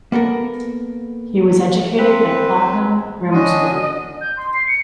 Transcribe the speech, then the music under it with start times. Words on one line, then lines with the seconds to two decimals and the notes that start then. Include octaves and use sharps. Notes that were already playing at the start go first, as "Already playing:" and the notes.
He was educated at Clapham Grammar School.
0.12 A#3 B3 A4 A#4
1.99 C4 B4 C5 G5 B6
3.34 C#4 D4 F#4 D#5
4.21 G6
4.37 C6
4.53 C7
4.67 C#7